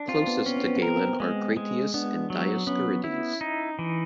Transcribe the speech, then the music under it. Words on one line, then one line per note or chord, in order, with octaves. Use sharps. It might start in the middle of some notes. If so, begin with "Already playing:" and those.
Closest to Galen are Crateuas and Dioscurides.
Already playing: D4
C4 F4
B3
C4
B3 C#4
C4
B3
C4
B3 A#4
C4
B3
G#3 C4
G#3
B3 D4
F#3
B3 C#4
E4
D#4
E3